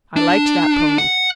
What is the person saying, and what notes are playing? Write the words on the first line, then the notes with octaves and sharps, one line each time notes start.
I liked that pony.
D4
F#5